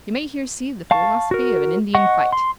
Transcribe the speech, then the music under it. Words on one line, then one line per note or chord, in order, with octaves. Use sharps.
You may here see the philosophy of an Indian fight.
F5 A5 C#6
F#4 A#4
D#5 F#5 C#6
C6